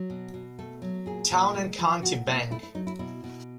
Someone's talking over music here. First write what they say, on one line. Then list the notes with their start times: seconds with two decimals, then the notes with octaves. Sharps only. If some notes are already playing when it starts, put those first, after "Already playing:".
Town and County Bank!
Already playing: F#3
0.10 B2
0.34 B2
0.59 A3 A4
0.82 F#3
1.06 A#2 G#4
1.31 A#2
1.54 G#3
1.79 F3
2.02 A#2 F#4
2.27 A#2 E4
2.51 A3 E4
2.63 E4
2.75 F#3 D#4
2.87 E4
2.99 B2 E4
3.24 B2